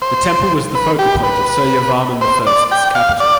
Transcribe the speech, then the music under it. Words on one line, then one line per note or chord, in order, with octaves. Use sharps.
The temple was the focal point of Suryavarman the First's capital.
C5
B4
G4
B4
C5
D5
G5
F5
D5